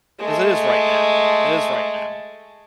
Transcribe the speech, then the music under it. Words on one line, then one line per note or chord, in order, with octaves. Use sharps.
'Cause it is right now. It is right now.
G#3 A3